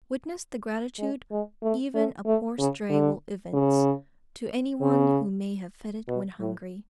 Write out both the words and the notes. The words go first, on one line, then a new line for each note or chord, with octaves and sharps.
Witness the gratitude even a poor stray will evince, to any one who may have fed it when hungry.
G#3
G#3
A3
A3
A3
C#3
D3
C#3
C#3
B2
A2